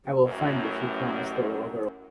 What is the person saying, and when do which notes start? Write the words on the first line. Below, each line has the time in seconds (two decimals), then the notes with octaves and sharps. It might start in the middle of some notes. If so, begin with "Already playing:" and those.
"I will find you.", she promised the little girl.
0.25 A1 F#2